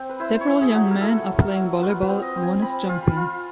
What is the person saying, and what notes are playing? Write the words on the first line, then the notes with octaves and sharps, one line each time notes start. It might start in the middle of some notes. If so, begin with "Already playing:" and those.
Several young men are playing volleyball one is jumping.
Already playing: C4
B4
E4 C5
C5
C#5
E4
G#4
F#3
A#4
E4 A4
F#3
A#4
F#3
F4 B4
B4
C4
D#5
C4
G#5
C4 B5
F4
B5
F4